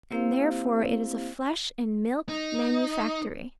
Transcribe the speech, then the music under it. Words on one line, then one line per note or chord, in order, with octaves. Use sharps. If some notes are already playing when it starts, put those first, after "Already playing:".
And therefore it is a flesh and milk manufactory.
A#3 C4 E4 G4 C5 F5
D#4